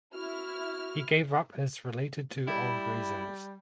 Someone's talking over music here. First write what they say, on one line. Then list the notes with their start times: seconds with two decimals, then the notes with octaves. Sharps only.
He gave up his related to old reasons.
0.14 E4 F#4 F6
2.47 G3 E4